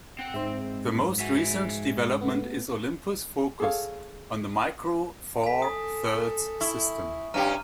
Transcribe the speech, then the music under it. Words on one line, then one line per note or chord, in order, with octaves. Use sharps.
The most recent development is Olympus' focus on the Micro Four Thirds system.
C4 F#5 G5
G#2 C5 E5
F#2
F#4 E5 G#5
A3 B3
G#4 A4 C#5 F5
A4 G#5 B6
D#6
E4 C#6
G2 C#4 G4 F5 A#5 F6 D#7